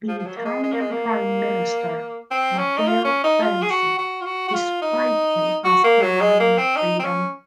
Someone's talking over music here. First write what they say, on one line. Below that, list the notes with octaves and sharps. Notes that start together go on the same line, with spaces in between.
The Italian Prime Minister Matteo Renzi described him as a "lion of freedom".
F3
F3
F#3
A#3
G#3
G#3
A#3
G#3
A#3
C4
C#4
D#4
F4
C#4
D#4
F4
G#4
F#4
F#4
F4
F#4
F#4
F4
D#4
F#4
A#3
F#3
G#3
A#3
C4
D#4
C4
C#4